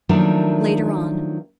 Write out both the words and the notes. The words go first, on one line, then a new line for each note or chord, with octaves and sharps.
"Later on."
D#3 F3 F#3 A3 A#3 D4